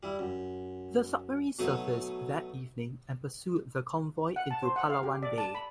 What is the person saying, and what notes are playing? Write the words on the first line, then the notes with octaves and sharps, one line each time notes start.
The submarine surfaced that evening and pursued the convoy into Palawan Bay.
G3 E4
F#2
B2 F#3 A3 D#4 C#5
F#5
A5
C5
F#5
F5
G4
D5
A5
B5